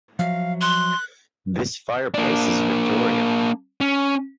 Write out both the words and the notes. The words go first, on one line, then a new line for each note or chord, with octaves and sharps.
This fireplace is victorian.
F3 F#3 E5 F5
C6 F#6
A#3 D4
C#4